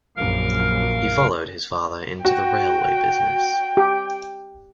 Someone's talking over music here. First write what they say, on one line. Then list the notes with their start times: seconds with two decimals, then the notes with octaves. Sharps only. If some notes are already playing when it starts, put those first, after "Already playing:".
He followed his father into the railway business.
0.16 A#1 F#2 A#4 F5 F6
2.25 F#4 G5
3.77 G4